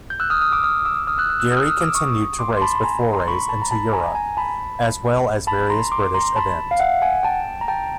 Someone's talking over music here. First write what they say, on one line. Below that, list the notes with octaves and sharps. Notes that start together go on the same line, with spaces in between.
Gerry continued to race with forays into Europe, as well as various British event.
G6
E6 F#6
D#6 F6
D#6 F6
D6 E6
D#6 F6
D6 E6
D#6 F6
E6 F#6
E6 F#6
E6 F#6
D#6 F6
E6
D#6 F6
D6 E6
C#6 D#6
C6 D6
C6
A5 B5
B5
G#5 A#5
A#5 C6
B5 C#6
A5 B5
A#5
A5 B5
G#5 A#5
G#5 A#5
A5 B5
A5 B5
A#5 C6
C6 D6
A#5 C6
A5 B5
F5
E5 F#5
F#5 G#5
G5 A5
A#5
G5 A5